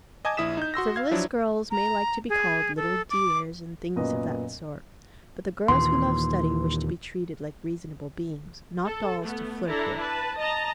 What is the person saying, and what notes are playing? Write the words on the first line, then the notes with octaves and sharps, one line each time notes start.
Frivolous girls may like to be called "little dears" and things of that sort; but the girls who love study wish to be treated like reasonable beings, not dolls to flirt with.
D#5 G#5 A5 D6 G#6
A#1 E4 D#6 B6 E7
D#4 G6
F#4 C6 E6 A#6
F5 G#6
F3 F#3 D4 E4
A#5
G#4
A4
D6
F#2 A#2 B3 D#5
D#2 A#2 E3 C6
A4
A3 B3
D4 E4 A4 A#5
B4 A5
D#5 A5 A#5